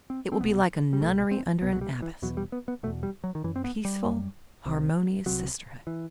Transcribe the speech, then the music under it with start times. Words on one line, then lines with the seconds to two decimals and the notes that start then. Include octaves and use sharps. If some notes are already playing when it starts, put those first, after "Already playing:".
"It will be like a nunnery under an abbess--a peaceful, harmonious sisterhood."
0.10 C4
0.32 C4
0.40 C2 B2 B3
0.93 G3
1.01 C2 B2 A3
1.31 C4
1.61 C2 B2 B3
1.73 F#3
1.81 G3
2.02 E3
2.22 E2 B2 F#3
2.37 G3
2.52 B3
2.68 B3
2.83 B2 A3
2.87 E2
3.03 G3
3.24 F#3
3.35 D#3
3.44 F#2 E3
3.56 C4
3.64 B3
3.85 G3
4.05 F#2
4.65 C2 C3
5.26 C2 C3 F#3
5.87 E3